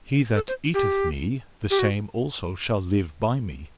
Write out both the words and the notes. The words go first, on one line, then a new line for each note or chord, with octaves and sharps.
He that eateth Me the same also shall live by Me.
A4
C5
G4
G4
F#4